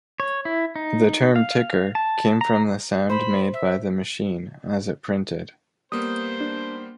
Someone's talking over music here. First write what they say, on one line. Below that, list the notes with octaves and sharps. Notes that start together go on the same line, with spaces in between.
The term "ticker" came from the sound made by the machine as it printed.
C#5
E4
D#4
F5
A5
A#5
C5 B5
E5
G3 A#3 B3 C5 D#6
D4